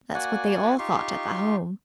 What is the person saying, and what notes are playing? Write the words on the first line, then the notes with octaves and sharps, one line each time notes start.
That's what they all thought at the Home.
A#3 F#4 D5 F#5 G#5
D#4 F4 G4 C6 C#6